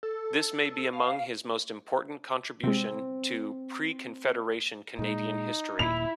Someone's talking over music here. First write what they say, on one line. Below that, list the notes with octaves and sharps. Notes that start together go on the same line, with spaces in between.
This may be among his most important contribution to pre-Confederation Canadian history.
A4
F5
C3 G#3 C4
A#2 G#3 D#4
D#1 A#2 E4 F7